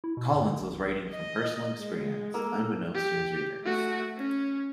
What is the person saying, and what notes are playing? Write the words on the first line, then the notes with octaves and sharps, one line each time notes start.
Collins was writing from personal experience, unbeknownst to his readers.
E4
B2
G2
D3
A1
A1
D#5
G#3
A#3 A4
G4
A3 F#4
C#4